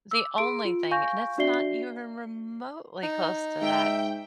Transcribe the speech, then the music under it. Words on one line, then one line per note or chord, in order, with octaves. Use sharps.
The only thing and, it's not even remotely close to that,
D6 E6
G#4 C6 D7
F4
F5 G#5 C#6 G6 A#6
D4 F#4 D5 E5 C7 G7
D#4
G#2 E5 G5